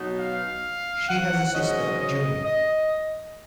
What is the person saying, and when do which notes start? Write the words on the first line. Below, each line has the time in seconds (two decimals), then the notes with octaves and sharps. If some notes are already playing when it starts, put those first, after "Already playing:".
She has a sister, Junie.
Already playing: B2 F#3 B3 D#4
0.19 F5
1.09 F#5
1.54 G#2 F#3 C#4 D#5
1.98 D#5
2.44 D#5